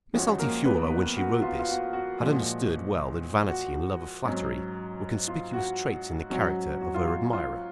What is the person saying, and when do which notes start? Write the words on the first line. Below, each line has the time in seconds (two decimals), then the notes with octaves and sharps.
Miss Altifiorla when she wrote this had understood well that vanity and love of flattery were conspicuous traits in the character of her admirer.
0.14 F2 F3 G#3 C#4 F#4
0.40 A#3 A#4
0.65 B3 B4
1.17 F#4
1.42 F4
1.59 F4
1.68 F#4
1.93 F#4
2.20 A#2 F3 G#3
3.48 F#4
4.25 G#2 F#3 C#4
5.28 F4
5.53 F#4
6.30 G#2 F#3 C#4 F#4
6.81 F#4
6.94 F4
7.08 F4
7.33 F4